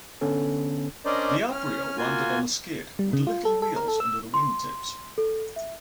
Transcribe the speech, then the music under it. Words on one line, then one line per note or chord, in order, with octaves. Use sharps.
The Abrial landed on a skid, with little wheels under the wing tips.
D3 B3 C#4 A4
C#4 D4 A#4 C5 D5 D#5
C#4 F6
A#3 F4 F#4 G#5
G3
C#3
F4
A4
A4
A#4
A4
E6
C6
A4
E5